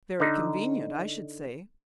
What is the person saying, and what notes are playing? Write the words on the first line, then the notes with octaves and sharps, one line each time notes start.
'Very convenient, I should say.'
D3 D#4